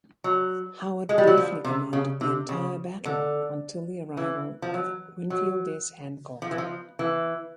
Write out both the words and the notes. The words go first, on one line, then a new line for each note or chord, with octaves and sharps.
Howard briefly commanded the entire battle until the arrival of Winfield S. Hancock.
F#3
G#3
G3
F#3
F3
C3
C#3
C3
C#3
D3
E3
F3
F#3
F#3
F3
E3
F3
E3